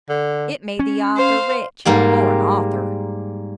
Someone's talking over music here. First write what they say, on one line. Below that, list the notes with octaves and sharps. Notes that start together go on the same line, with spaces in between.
It made the author rich--for an author.
D3
C#4
C5 F5
G#2 G3 A#3 G4